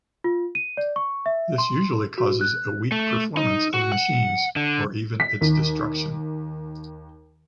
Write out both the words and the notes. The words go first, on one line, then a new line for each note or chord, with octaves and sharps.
This usually causes a weak performance of machines or even its destruction.
F4
D#7
D5
C#6
E5
C6
F#4
F#6
A3
D#4
F#4
F#5
D3
B6
D#2